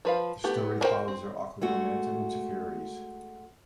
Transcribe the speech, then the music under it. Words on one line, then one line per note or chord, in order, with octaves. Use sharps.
The story follows their awkward romance and insecurities.
F3 B4 F5
A3 B3 G4
D4 F#4 A#4 C5 G5
C4
G#3 A3 F#4